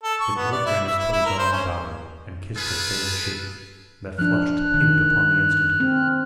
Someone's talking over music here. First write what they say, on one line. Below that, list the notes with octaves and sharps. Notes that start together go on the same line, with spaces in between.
Then Old Grannis put his arm about her, and kissed her faded cheek, that flushed to pink upon the instant.
A4
C#6
B3
D5
E4
E5
E4
E4
A#4
C5
C#4
F4 G#4 A4 B4
F3 D4 F6 F#6
D#3
C4